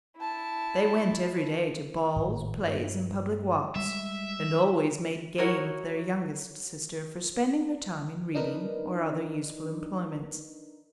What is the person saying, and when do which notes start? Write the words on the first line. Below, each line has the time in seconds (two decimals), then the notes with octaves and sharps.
They went every day to balls, plays, and public walks, and always made game of their youngest sister for spending her time in reading or other useful employments.
0.17 E4 A5
2.16 G#1 A2
2.59 G2
3.76 G3 G#3 E5
5.38 E4 F#4 A#4 C#5
8.35 D4 D#4 A#4 B4